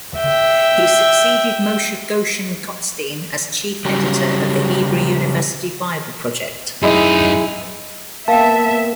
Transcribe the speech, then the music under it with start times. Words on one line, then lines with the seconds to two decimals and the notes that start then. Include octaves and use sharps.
He succeeded Moshe Goshen-Gottstein as chief editor of the Hebrew University Bible Project.
0.17 E5 G5
3.85 C#3 F#3 G3
6.82 F#2 G#3 D#4 E4 D#5
8.28 A#3 B3 E5 F5 G5 A5